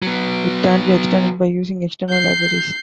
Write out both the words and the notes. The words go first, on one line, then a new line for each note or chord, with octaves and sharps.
It can be extended by using external libraries.
F#3 B3
G6 C7